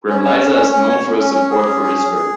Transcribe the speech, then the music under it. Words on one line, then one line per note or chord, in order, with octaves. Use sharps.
Gremliza is known for his support for Israel.
C#4
C#4
C#4
C#4
C#4
C#5
C#4
C#4
C#4
G#4
C#4
G#4
G#4
G#4